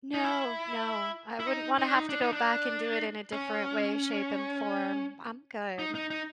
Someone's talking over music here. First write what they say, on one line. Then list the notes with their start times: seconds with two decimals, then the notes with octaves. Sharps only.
No, no, I wouldn't wanna have to go back and do it in a different way, shape, and form. I'm good.
0.14 D#4
0.24 E4
1.40 E4
1.47 D#4
1.78 D#4
1.87 D4
1.95 D#4
2.09 D4
2.21 D#4
2.33 D4
3.32 C#4
5.79 D#4
5.95 D#4
6.10 D#4